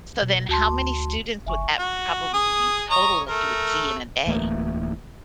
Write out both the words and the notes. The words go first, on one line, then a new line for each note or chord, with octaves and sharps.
So, then how many students would that probably total that you would see in a day?
B2
D2 F#4 A5 C6
F#1 E5 G#5 C#6
F#4
G#4 D#6
C#5 D#5 A#5
A3 A#4
D1 E3 A3 A#3